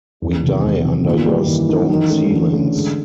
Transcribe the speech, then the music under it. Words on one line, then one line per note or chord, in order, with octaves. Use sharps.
We die under your stone ceilings!
E2
C3 D#3
E2
C3 D#3
A#2 D#3
G3 A#3 D#4
D#3 E3
G3 A#3 D#4
D#3 E3
A3 C#4
D3 E3
A3 C#4
G#3